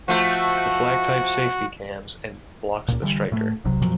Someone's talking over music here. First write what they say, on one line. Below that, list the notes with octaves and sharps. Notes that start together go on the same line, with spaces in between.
The flag-type safety cams and blocks the striker.
F3 A3 F4 F#4 F#5
C#2 A#2
D3 E3 F#3 G3
A2 A3
D1 B1 C3 F#3
F2 A#2 F3 F#3